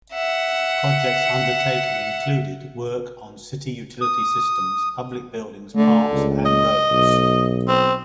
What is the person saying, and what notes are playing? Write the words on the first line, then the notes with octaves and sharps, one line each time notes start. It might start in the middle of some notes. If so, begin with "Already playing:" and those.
Projects undertaken included work on city utility systems, public buildings, parks, and roads.
E5 F#5
D#6
D3 A3
C#2
D#5
B1
C4